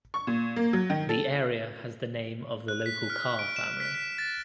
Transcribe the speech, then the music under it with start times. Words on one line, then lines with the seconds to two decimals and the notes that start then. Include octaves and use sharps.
The area has the name of the local Carr family.
0.14 C#6
0.27 A#2
0.56 A#3
0.73 F#3
0.90 D#3
1.09 A4
2.68 F#6
2.86 B6
3.10 F6
3.39 D7
3.56 E7
3.80 B6
3.94 B6
4.18 A6